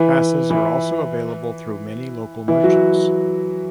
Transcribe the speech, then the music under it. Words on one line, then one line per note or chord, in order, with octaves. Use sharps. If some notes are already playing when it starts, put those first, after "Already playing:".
Passes are also available through many local merchants.
Already playing: E3 E4
E3 E4
E3 E4
F#3 F#4